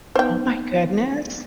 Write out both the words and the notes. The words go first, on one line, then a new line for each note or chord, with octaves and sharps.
Oh my goodness.
B3 D#4 B4 C5 G5